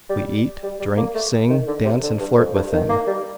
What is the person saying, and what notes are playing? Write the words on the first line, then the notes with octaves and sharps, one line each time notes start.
We eat, drink, sing, dance, and flirt with them.
G3
G3
G3
A#3
A3
D#3
D3
C3
D3
G2
F2
G2
D#3
A#3
G3